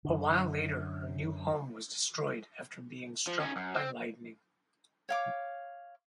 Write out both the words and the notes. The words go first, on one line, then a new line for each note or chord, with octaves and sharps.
A while later her new home was destroyed after being struck by lightning.
F#2 D3
F3
C#4 D#4
F#2
C4
C#5 F5 D6